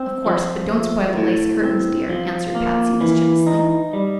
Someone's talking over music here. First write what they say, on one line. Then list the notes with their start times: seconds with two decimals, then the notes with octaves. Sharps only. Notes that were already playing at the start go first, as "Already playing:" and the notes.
"Of course; but don't spoil the lace curtains, dear," answered Patsy, mischievously.
Already playing: C4
0.26 F3
0.72 A3
1.17 A2
1.63 C4
2.10 F3
2.55 A#3
3.01 E3
3.47 D#4
3.93 G3